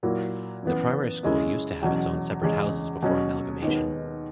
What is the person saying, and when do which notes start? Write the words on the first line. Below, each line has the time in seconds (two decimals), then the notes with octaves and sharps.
The primary school used to have its own separate houses before amalgamation.
0.03 A#2 F#3 A#3 E4
0.63 F#2 E3 B3
1.23 F#2 C#3 G#3 C#4 E4
1.83 E2 B2 F#3 C#4
2.43 E2 C#3 G#3 C#4
3.02 B2 F#3 C#4
3.62 D#2 D#3 G#3 B3